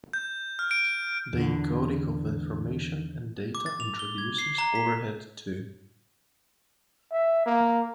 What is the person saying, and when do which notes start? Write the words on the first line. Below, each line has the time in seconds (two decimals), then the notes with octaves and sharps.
The encoding of information and data introduces overhead too.
0.13 G6
0.59 F6
0.71 D7
1.33 E2 D3
3.55 D6
3.66 A6
3.80 F7
3.99 G7
4.18 G#6
4.38 C7
4.58 A#5
4.75 B6
7.11 E5
7.46 A#3